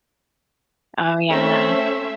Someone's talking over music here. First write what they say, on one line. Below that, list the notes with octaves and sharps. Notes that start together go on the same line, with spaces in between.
Oh, yeah.
A3 C4 C#4 C5 E5